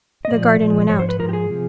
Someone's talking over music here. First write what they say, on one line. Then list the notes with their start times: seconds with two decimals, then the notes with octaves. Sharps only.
The garden went out.
0.25 D#5
0.31 A#2 F3 D5
0.60 A#2 F3
0.89 G#2 F3 C#5
0.99 C5
1.09 B4
1.19 G#2 F3 A#4
1.29 G4
1.33 G#4
1.50 C3 F3